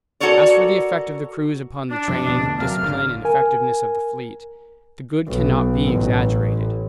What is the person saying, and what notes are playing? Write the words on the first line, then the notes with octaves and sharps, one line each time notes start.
As for the effect of the cruise upon the training, discipline and effectiveness of the fleet, the good cannot be exaggerated.
F#4 A4 A#4 C#5 D5
D4
G2 C3 F3
D#2 B2
D2
C3 F#3 A#3 F5 F6
G#1 B2 D3
A#4 G#5
B1
A1